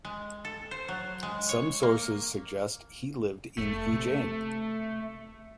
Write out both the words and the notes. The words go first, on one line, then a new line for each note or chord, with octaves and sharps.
Some sources suggest he lived in Ujjain.
G#3
A4
C5
F#3
G#3
C#5
A#3
F1 A3
C3